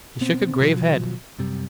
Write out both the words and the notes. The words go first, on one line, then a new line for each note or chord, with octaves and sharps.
He shook a grave head.
B2 B3 C4
B2 D#3 F3 F#3
F#2 C3 G3